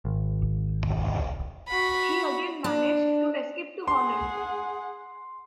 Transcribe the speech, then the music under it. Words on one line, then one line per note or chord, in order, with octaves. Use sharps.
He again managed to escape to Holland.
G#1
F#4 B5
D4
G#4 F#5 C6